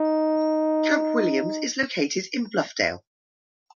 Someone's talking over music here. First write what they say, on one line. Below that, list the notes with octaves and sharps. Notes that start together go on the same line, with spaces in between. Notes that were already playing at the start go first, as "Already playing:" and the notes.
Camp Williams is located in Bluffdale.
Already playing: D#4